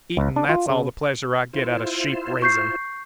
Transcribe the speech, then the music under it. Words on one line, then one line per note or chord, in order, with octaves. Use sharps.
Eating--that's all the pleasure I get out of sheep raising.
C#2
D4
F4
C#3
E4 F4 C5
C#6 G6 C7